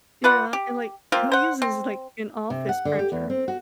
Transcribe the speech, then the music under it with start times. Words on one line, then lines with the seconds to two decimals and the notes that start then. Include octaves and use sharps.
Yeah, and, like, who uses, like, an office printer?
0.24 F4 B4 D5 F#5
0.53 G4
1.12 A#3 C4 F4
1.32 C5 F#5
1.62 C4
2.50 C3
2.69 F#5
2.85 D3
2.99 G4
3.12 E2
3.30 C4
3.48 F#4